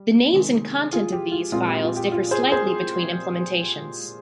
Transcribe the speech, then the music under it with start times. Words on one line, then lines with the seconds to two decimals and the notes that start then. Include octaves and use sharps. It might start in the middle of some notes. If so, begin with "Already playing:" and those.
The names and content of these files differ slightly between implementations.
Already playing: G3
0.33 C3 D#3 G#3 C4
0.93 F4 G#4
1.12 G4
1.32 F4
1.52 A#2 G#3 C4 F4
1.68 G4
1.83 F4
1.96 G4
2.12 F4
2.31 G#4 C5
2.52 G#4 C5